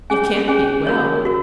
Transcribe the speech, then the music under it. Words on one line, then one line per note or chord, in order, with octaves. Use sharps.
'You can't be well.
C#4 G#4 C#5 G#5
C#4 G#4 C#5 G#5
F#4 A#4 C#5
F#4 A#4